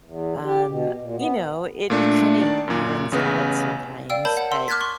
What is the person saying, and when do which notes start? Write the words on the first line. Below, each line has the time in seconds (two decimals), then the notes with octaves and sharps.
um, you know, it it kinda evens out sometimes. But
0.04 E2
0.44 G4
0.68 B2
1.01 A#2
1.17 B3
1.90 A#2 A3 D4
2.41 D#3 D5 A5
2.68 F#2 A#2
3.12 A1 C#3 B3 B4
4.10 D5 F5 G5 E6
4.25 A#4 C#5 A5 B5 G6
4.37 F#5
4.52 C6 E6
4.68 D6 F6 F#6 G#6 A6 B6
4.81 C6 C#6